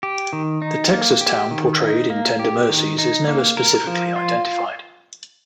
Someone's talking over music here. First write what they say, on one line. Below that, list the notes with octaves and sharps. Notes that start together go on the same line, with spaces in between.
The Texas town portrayed in "Tender Mercies" is never specifically identified.
G4
D#3
D#4
A#3
G4
D#3
D#4
A#3
G4
D#3
D#4
A#3
A#4
F3
F4